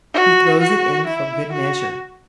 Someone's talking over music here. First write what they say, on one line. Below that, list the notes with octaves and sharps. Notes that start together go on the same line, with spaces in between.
He throws it in for good measure.
F#4
F#4
E4
F#4